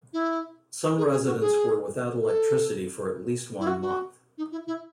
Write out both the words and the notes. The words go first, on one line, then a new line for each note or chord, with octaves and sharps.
Some residents were without electricity for at least one month.
E4
G#4
G#4
F#4
G#4
A4
E4
F#4
F#4
D#4
E4
E4